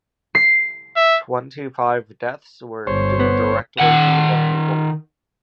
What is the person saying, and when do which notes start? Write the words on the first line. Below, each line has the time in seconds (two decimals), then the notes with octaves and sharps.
Twenty-five deaths were due directly to the upheaval.
0.35 C7
0.96 E5
2.87 G1 C5 C#5
3.20 B3
3.79 D#3 F#5